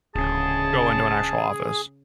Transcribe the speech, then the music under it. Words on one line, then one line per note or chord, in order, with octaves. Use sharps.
go into an actual office?
D1 C#3 G#4 A5